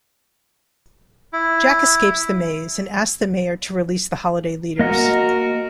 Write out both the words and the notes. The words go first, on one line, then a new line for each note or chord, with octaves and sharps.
Jack escapes the maze and asks the mayor to release the holiday leaders.
E4
A#3 F#4 A#4 D#5 F#5